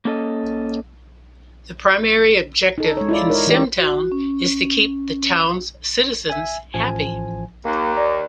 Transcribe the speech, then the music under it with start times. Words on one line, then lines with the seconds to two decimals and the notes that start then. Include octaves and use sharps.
The primary objective in "SimTown" is to keep the town's citizens happy.
0.05 A#3 C#4 A4 D#5
2.78 D#4 A4
2.97 G#3 C#5
3.09 E4 F4 D5
3.29 D#4 A#4 C#5
3.47 E3 D4 G4 D5
3.77 F#4
4.12 C#4
6.30 E5 G#5
6.74 A1 F3 G#5
7.65 D#2 A#3
7.97 D5 A#5